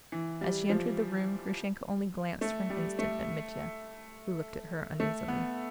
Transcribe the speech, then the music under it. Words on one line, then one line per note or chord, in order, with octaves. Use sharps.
As she entered the room, Grushenka only glanced for an instant at Mitya, who looked at her uneasily.
E3
G3
F3
A3
G3
A3
A3
B3